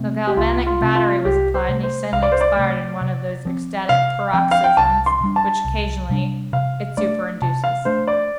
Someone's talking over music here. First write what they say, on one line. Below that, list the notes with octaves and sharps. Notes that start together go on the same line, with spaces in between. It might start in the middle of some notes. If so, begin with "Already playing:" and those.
The galvanic battery was applied, and he suddenly expired in one of those ecstatic paroxysms which, occasionally, it superinduces.
Already playing: C3 A3 C4
G4
C2 F4
F4
C3 A3 C4
F4
C2 G4
C5
C3 A3
C5
C2 F5
D5
C5
D5
C3 A3
C3
F3 C4
C3 F5
F3 C4 G5
F5
G5
C2 A5
C6
C3
G3 D4
A5
C2
C3 G3 D4
C3 F5
A3 D4 D5
C3 A5
F5
A3 D4 C5
D5